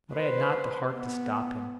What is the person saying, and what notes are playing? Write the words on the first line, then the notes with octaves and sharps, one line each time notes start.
But I had not the heart to stop him.
B4 C5
B3